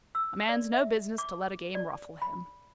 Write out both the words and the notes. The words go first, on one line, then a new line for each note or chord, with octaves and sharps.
"A man's no business to let a game ruffle him."
E6
D5
E5
D6
D5
B5